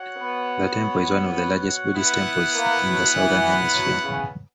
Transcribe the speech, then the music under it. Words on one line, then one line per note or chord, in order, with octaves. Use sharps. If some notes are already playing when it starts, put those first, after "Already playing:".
The temple is one of the largest Buddhist temples in the southern hemisphere.
Already playing: F#4 C#5 F#5
B3
B3 E4 B4 F#5
A#3
F#3
E3
F#3
C#3